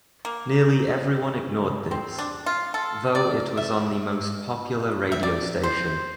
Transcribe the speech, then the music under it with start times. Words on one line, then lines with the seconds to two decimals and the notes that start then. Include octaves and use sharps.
Nearly everyone ignored this, though it was on the most popular radio station.
0.25 A#3
1.91 C4
2.19 D4
2.46 F4
2.74 A4
3.15 D5
3.57 E5
5.12 E5
5.23 D5
5.63 C5